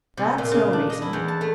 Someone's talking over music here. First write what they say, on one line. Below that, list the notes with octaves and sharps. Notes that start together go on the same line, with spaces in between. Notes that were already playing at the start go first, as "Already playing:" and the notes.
That's no reason.
C3
A#2
C#3
D4
D#5
E4
E2
A5
A3